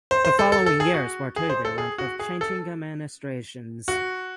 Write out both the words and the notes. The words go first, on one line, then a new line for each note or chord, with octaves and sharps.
The following years were turbulent with changing administrations.
C5
C5
A4
A4
A4
G#4
F#4
G#4
C5
A4
G#4
F#4
G#4
A4
F#4